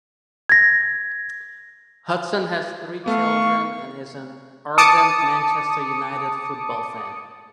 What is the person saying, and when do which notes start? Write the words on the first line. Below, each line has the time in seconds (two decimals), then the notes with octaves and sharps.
Hudson has three children and is an "ardent Manchester United football fan".
0.49 G#6 A#6
3.06 A3 B3 F5 C#6
4.78 A5 D6 D#6 C#7